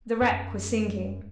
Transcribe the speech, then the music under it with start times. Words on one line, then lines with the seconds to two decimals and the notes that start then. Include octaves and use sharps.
The wreck was sinking.
0.21 F#2